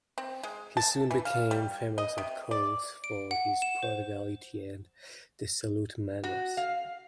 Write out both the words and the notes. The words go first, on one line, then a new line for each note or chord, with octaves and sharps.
He soon became famous at court for his prodigality and dissolute manners.
C4
G#3
A5
E3
F5
G3
D#5
C3
D5
D7
F#5
E7
C5
F#4
F5